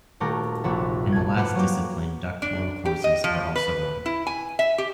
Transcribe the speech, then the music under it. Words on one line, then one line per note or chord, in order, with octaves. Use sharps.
In the last discipline doctoral courses are also run.
D#1 A3 F#4 G4 A#4 A#6
F1 A#1 F#4 E5
A3 G#6
F4 G4 B4 F#5
F#3 A#3 G4
D4
G4
D#5
F3
B4
E4
G#5
E5
G4